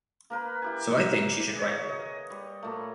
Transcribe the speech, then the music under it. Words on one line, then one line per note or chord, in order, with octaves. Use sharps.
So I think she should write more.
A#3 A#4 B4
E4 G4 G#5
G#4 C#5
D#5
G3
A#2 A3